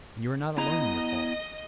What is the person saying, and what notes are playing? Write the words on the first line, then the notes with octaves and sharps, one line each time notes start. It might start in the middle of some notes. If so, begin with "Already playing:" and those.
And you are not alone in your fault.
B3 E4 D#5 A#5